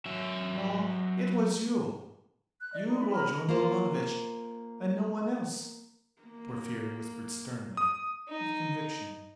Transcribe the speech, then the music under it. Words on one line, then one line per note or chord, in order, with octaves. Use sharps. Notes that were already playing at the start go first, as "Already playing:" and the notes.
"No, it was you, you Rodion Romanovitch, and no one else," Porfiry whispered sternly, with conviction.
F#3 E5
F#6
D5 D#5
D#4
E4 B5
G#4 A#5 B5 F6
A#3 F4 C5
A#3
D#6
D#4